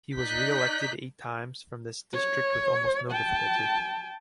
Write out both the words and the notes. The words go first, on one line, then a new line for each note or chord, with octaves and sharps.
He was re-elected eight times from this district with almost no difficulty.
D#4 D5 D#5 F#6 G6 B6
C#5
G5 A5